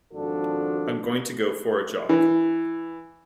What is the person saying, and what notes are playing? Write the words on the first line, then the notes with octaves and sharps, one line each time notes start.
I'm going to go for a jog.
G#1 F3 D4 F#4 A4
E3